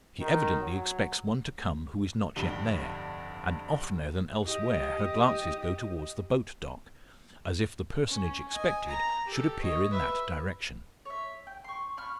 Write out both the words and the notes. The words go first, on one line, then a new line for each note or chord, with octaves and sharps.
She evidently expects one to come who is not yet there; and oftener than elsewhere her glances go towards the boat-dock, as if the personage expected should appear in that direction.
D#3
F#3
F1 D2 G2 G4 G7
G4 D#5
C#4
D#5 G#5
A#5
G4 A4
C#5 D#5
B4 E5
C#5 E5
G5
C6 C#6
B5 C#6 F6